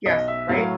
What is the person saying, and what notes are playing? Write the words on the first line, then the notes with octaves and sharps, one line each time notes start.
Yes, right?
B1 D#5
E5
A2 F#3 A3 F5
F5